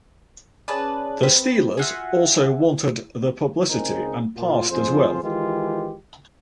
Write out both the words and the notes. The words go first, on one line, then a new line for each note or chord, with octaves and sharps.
The Steelers also wanted the publicity and passed as well.
C#4 G#4 B4 D5 A5
C4 B4 D#6
F4 F#4 E5 F#5 G#5
C#2 C#3 C4 D#4 G#4 A#4
A#2 F4
F2 F3 C4 F4 G#4 C5
D#3 E3 G#3 F4 G4